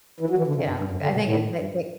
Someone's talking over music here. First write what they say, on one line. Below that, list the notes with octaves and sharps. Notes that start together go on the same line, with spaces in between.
you know. I think it it it
E3
F#3
E3
D3
C#3
G2
G2
F#2
D3
B2
A2
G2